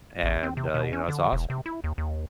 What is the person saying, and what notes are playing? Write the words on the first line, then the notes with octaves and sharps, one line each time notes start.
And, uh, you know, it's awesome.
A1
C4
C3
B2
C#4
D3
E1
C3
E4
D#2
D#2